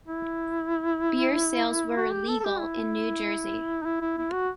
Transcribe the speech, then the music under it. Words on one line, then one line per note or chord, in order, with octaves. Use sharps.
Beer sales were legal in New Jersey.
E4
F#4
G4
A4
A4
G4
E4
D#4
E4
E4
E4
F#4